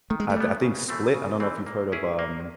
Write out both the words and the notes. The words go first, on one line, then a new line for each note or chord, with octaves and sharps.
I thi I think Split I don't know if you've heard of, um,
D#3 A3
G#3
A3
G3 B3
C#3
E3 A3 C4
C#3
E3 A3 C4
A#3
C#4 E4 G#4
A#3